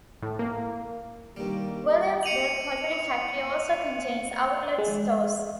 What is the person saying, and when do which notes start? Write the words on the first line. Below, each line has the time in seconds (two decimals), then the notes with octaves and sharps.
Williamsburg Pottery Factory also contains outlet stores.
0.22 A2
0.39 A#3
1.37 G2 D#3 G3 A#3 G4
2.23 C#7 D#7 F7 F#7
4.78 G#3